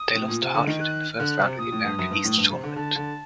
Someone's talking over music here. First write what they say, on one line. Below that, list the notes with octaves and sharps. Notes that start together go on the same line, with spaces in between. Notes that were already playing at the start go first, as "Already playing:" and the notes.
They lost to Hartford in the first round of the America East Tournament.
Already playing: D#6
A2
A#2
C3
D3
D#3
F#6
D3 F#6
C3
A#2 D#6
A2
G2
F#2
G2
A2
G2
C3
D3
D3 A5
D3